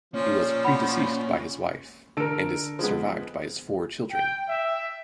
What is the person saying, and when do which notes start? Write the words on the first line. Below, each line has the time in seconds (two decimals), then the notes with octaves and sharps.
He was predeceased by his wife and is survived by his four children.
0.14 F3 A#3 C#4 D5
0.64 F#5 B5
2.17 D3 A4 A#4 D7
2.79 F3 G#3 B3
4.12 G5
4.48 E5